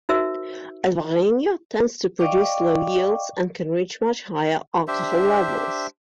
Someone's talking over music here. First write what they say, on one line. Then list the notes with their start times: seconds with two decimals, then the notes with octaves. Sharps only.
Alvarinho tends to produce low yields and can reach much higher alcohol levels.
0.09 D#4 F#4 A#4 C5 E5 E6
2.19 D5 D#5 F5 G5 C#6 D6
4.88 D4 G4 C5 E5